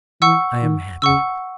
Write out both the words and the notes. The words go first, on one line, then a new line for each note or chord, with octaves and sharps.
I am happy.
E3 F#5 C#6 E6
D#3
C#3 F#5 C#6 E6